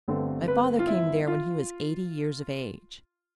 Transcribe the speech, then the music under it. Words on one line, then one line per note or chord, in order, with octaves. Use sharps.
My father came there when he was eighty years of age.
G1 G2 D3 A3 C4
B4
F4
E4
F4